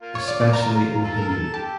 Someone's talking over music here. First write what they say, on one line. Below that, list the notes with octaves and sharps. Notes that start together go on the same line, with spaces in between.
Especially in Hindu.
A#3 F4
C#5
D5
D5
A#5
F4 A4
A#4
F4 A4
G4 A5